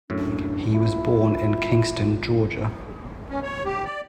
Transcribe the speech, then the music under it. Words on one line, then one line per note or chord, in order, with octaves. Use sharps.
He was born in Kingston, Georgia.
F#2 A2 D4
E4 F4
C#4
C#5
G4
D5